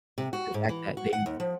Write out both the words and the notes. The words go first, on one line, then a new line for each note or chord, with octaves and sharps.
the fact that they
C3
F#4
G#2
E3
F#4
F#5
D#2
F3